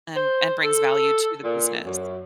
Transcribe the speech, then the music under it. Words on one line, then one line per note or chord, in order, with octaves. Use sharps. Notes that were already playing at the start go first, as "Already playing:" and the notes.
and and brings value to the business.
C5
A4
A#2
F#2